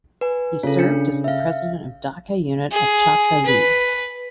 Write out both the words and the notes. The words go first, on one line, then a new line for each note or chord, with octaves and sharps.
He served as the president of Dhaka unit of Chatra league.
B4 G#5
C#3 F4 A4
D4 C#7
E5 F5
G#4
B4